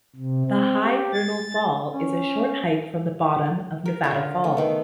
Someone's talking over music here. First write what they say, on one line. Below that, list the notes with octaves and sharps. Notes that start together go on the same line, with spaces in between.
The high Vernal Fall is a short hike from the bottom of Nevada Fall.
C3
C4
G4
A6
C#4
A#4
D3 F4
A3
D#3 B3